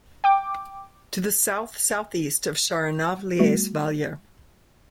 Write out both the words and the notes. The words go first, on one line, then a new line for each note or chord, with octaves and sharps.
To the south-southeast of Sharonov lies Valier.
G5 D6
G3 A3 B3 F#4